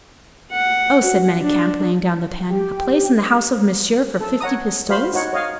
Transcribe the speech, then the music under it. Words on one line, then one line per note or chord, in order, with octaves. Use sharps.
"Oh!" said Manicamp, laying down the pen, "a place in the household of Monsieur for fifty pistoles?"
F#5
F#4
D4
G4
A4
C#5 F#5 A#5 D#6
F#4 C5 F5 B5 C6
D#4 F#4 C#5 F#5
C#5 D#5 F5